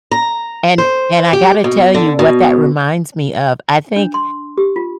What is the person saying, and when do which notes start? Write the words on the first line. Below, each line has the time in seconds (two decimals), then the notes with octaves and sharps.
And and I gotta tell you, what that reminds me of, I think
0.11 A#5
0.78 C5
1.33 G4
1.64 B2
1.94 D3
2.19 B2
3.96 D4
4.14 C6
4.58 G4
4.76 F4